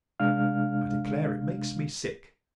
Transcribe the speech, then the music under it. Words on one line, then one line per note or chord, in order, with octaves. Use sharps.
I declare it makes me sick.
C3 G#3 D4 F5 F6